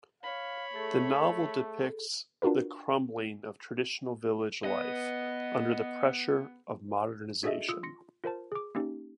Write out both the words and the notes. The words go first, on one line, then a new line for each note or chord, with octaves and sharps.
The novel depicts the crumbling of traditional village life under the pressure of modernisation.
C#5 F5 B5
A3 G#4 A4
D4 F4 F#4 A#4 B4
B3 D#5
D4 F#4 G#4 A4 D#5 E5
F4 D#6 E6
C6 A#6 C#7
F4 A#4 C5 A5
G#4 D6
A#3 C#4 D#4 G4